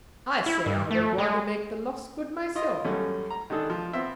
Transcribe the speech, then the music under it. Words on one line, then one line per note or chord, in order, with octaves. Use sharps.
I say I would rather make the loss good myself.
E4
G2
A3
G#3
E4 F4 D#5
F#2 G3 A3 C#4
A#5
D#3 G#3 D4 G#4 A4
F3
B3 C4 E5